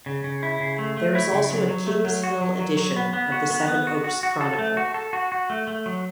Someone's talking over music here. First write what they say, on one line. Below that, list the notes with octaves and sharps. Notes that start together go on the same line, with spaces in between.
There is also a King's Hill edition of the Sevenoaks Chronicle.
C#3
C#3
E4
C#3
A3
A3
E4
C#3
F#3
F#3
A3
F#3
F#4
F#3
F#3
F#3
B3
B3
F#4
B3
B3
F#4
F#4
F#4
A4
A3
F#4
A4
F#4
F#4
A3
A3
F#3